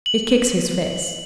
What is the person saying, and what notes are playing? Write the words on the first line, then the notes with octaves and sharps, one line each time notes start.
It kicks his face.
F#7